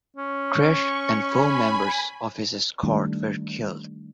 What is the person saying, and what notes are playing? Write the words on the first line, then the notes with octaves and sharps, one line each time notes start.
Krech and four members of his escort were killed.
C#4
C#6
G#5 B5
D#3 G3 A3 D4 E4